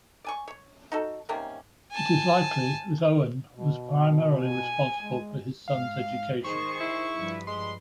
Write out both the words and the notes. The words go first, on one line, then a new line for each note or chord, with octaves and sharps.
It is likely that Eoghan was primarily responsible for his son's education.
D5 G#5 C#6
C#5
D#4 F#4 A4
C3 D#3 A#3 C#4
G#5 A5
B2
G#5
G#3
G#2 F5
D#3 G#4 C5 C#6
E4
G2 F3 B4
G#3 C6